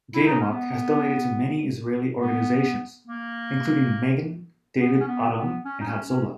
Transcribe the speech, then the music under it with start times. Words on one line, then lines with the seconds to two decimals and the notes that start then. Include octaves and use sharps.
Gaydamak has donated to many Israeli organizations, including Magen David Adom and Hatzolah.
0.14 E4
0.26 D#4
0.39 C#4
0.50 B3
2.21 B3
3.07 A#3
4.79 B3
5.00 C#4
5.07 B3
5.37 B3
5.65 C#4
5.80 D#4
5.86 C#4
6.08 C#4